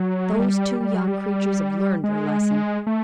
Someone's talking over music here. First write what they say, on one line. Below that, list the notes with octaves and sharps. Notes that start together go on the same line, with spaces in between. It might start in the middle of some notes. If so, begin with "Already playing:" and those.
Those two young creatures have learned their lesson.
Already playing: F#3
G#3
G3
G3
F#3
G3
G#3
A3